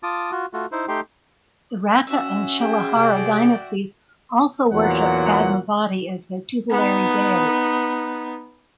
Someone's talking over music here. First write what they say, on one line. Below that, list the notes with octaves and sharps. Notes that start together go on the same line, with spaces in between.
The Ratta and Shilahara dynasties also worshiped Padmavati as their tutelary deity.
F4 A5 D6 D#6
F4 F#4
A3 F4 F#4
D#4 E4 C5
A3 D#4 G4 G5 C6
C#4 F#4 E5 E6
G#4 G5
C3 D5 G5
E2 A#2 F#3 F#5
B3 D#4